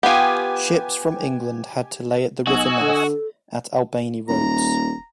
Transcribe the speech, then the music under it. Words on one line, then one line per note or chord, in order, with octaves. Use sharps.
Ships from England had to lay at the river mouth at Albany Roads.
B3 F4 G4 G#5
B1 F#4 D#5 G#5 E6
D3 A4
D#1 A#5